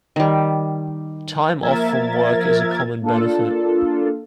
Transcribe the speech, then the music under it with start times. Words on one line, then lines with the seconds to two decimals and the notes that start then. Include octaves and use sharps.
Time off from work is a common benefit.
0.16 D#3 G3
1.61 F3 A#3 A#4 E5 G#6 A6
3.01 A#3 D4 F4 A4